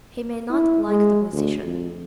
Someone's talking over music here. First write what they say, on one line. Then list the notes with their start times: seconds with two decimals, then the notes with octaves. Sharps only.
He may not like the position.
0.50 E4
0.89 G#3
1.32 D2
1.64 F2